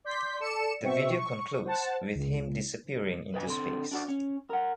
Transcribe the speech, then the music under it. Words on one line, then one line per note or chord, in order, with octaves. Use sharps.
The video concludes with him disappearing into space.
D5 C6 G6 B6
A4 D5 C#7 E7
B2 C4 E5 C#6
C#6
C5 F#5 A5
C#2
B4 D#5 G5 G#5
D3 C4 C6
D4 F#4 D5
C#4
A#4 F#5